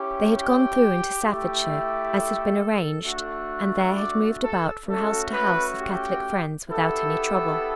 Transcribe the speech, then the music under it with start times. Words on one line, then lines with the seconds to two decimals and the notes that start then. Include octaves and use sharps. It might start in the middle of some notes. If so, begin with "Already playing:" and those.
They had gone through into Staffordshire, as had been arranged, and there had moved about from house to house of Catholic friends without any trouble.
Already playing: C#4 E4 G4
0.29 G4
1.21 A3 E4 G4
2.12 A4
3.04 A3 D4 F#4
3.94 D5
4.41 A4
4.86 A3 C#4 F#4 A4
5.31 B4
5.78 G4
6.68 B3 E4 G4 A4